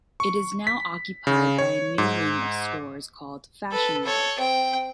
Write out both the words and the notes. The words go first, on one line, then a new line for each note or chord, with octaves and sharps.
It is now occupied by a new wing of stores called "Fashion Row".
C#6
B6
C#3
C#5
G#2
A4 B4
A4 C#5
C4 G5